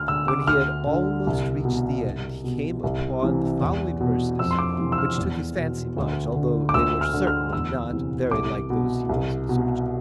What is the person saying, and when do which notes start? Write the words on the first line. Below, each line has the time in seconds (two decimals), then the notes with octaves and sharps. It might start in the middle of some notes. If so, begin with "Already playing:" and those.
When he had almost reached the end, he came upon the following verses, which took his fancy much, although they were certainly not very like those he was in search of.
Already playing: D2 F6
0.08 D3 E6
0.28 D6
0.47 D2 F6
0.87 D3
1.27 C2
1.65 B2
2.04 C2
2.44 B2
2.83 C2
3.23 C3 E3
3.61 E2
4.00 B2
4.39 F2 E6
4.51 C6
4.59 D6
4.78 C3 E3
4.92 E6
4.98 F6
5.18 E2
5.57 B2
5.97 D2
6.36 D3
6.69 D6
6.74 D2 E6
7.01 F6
7.13 D3
7.27 F6
7.53 E2 E6
7.92 C3 E3
8.31 C2 D6
8.70 B2
9.09 C2
9.49 B2